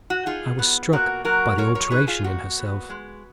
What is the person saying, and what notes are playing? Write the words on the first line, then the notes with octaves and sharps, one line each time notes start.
I was struck by the alteration in herself.
F#4
D#4 F4 G#4
B3
A#2 F#4 A#4
F#3 F#4 A#4
A#2 A#4 C#5
A#4 C#5
D#4 G#4 B4
F4 G#4
A#2 F#4
B3
G#3